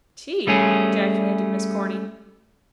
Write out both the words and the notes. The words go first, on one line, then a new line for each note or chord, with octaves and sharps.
"Tea!" ejaculated Miss Corny.
G3 A3 C#4 G#4